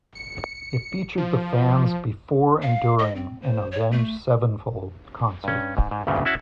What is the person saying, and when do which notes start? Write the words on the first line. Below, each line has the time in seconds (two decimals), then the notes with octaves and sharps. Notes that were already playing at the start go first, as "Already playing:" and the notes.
It featured the fans before and during an Avenged Sevenfold concert.
0.15 C#7
1.18 F3
2.62 F5
2.99 D#5
3.15 C4
3.42 C5
3.72 C#5
3.92 A3
5.44 G2 C#4
5.77 G#2
5.91 G#2
6.07 D2 G2 A#2 C#3
6.25 C#4 E4 F#4 E5 F#5 A5